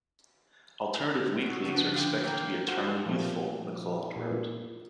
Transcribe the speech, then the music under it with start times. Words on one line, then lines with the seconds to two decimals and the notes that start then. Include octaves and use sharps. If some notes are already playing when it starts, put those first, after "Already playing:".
"Alternative weeklies are expected to be eternally youthful," McClelland wrote.
1.42 A2 F#3
1.65 C#3 F3 B3 D4
1.94 D3 F3 F5 G5
2.24 E3 A#3 A#4 G5
2.67 F4 F#4 C5 F#5
3.06 A#2 F3 G3 A3
4.16 A#2